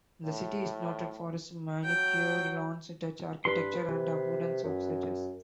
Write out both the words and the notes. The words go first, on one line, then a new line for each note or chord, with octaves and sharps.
The city is noted for its manicured lawns, Dutch architecture, and abundance of churches.
A2
F#3 G5
G2 B4 C6
C3
F#2